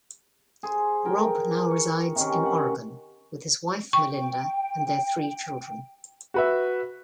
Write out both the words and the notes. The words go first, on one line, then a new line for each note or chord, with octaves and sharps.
Robb now resides in Oregon, with his wife Melinda and their three children.
G#4 C5
G#4 A#4 G5
C#6
C3 D#3 C#4
F#5
G5 C#6
F#4 B4 E5